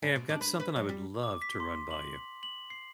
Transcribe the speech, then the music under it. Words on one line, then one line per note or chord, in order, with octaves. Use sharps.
Hey, I've got something I would love to run by you.
C#3
B2
D4
B4
B4
F#3
G3
D6
B6
C6
F#7
F#7
C7